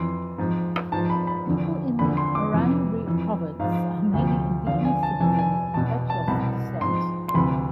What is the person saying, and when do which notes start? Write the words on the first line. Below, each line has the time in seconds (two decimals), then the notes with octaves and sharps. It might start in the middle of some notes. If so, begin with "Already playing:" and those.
The people in the Arani Province are mainly indigenous citizens of Quechua descent.
Already playing: F2 E3 C6
0.38 G#2 F3
0.92 G#2 F3 A5
1.10 B5
1.27 B5
1.45 E2 D3 F3
1.99 E2 D3 F3 B5
2.17 C6
2.35 D6
2.53 F2 C3 E3
3.06 F2 E3
3.60 G#2 F3 F5
4.14 D2 C3 F3
4.67 E2 D3 F3 F5
4.85 G#5
5.03 A5
5.20 F2 C3 E3 G#5
5.29 A5
5.39 G#5
5.74 E2 A5
5.77 B2
6.10 A5
6.28 C2 B2 B5
6.81 G#2 F3 C6
7.28 C6
7.34 D2 C3 E3 B5